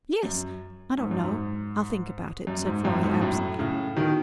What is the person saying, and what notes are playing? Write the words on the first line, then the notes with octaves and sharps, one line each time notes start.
"Yes--I don't know--I'll think about it," said Florrie absently.
F#2
G#2
F#2
G#2
F#2
G#2
F#2 A2
G#2 B2
F#2 A2
A2 C#3
B2 D#3